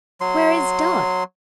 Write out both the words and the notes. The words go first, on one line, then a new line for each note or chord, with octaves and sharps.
"Where is Dot?"
F#3 C6